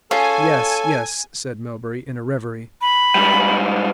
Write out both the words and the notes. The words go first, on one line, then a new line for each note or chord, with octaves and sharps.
"Yes, yes," said Melbury, in a reverie.
C#4 F4 G#4 A4 G#5
B5
G#2 G3